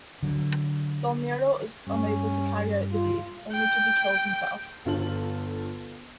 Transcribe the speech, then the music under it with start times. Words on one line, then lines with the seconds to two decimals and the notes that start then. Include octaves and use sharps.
Dolnero is unable to carry out the deed, only to be killed himself.
0.23 D3 F#3
1.87 G2 G3 C#4
2.91 F4
3.52 G5
4.85 G1 D3 F4 A4 F#7